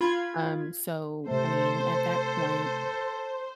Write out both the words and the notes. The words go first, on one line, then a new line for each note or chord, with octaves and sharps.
Um, so, I mean, at that point,
F4 B5 G#6
C3 A3 A4 C5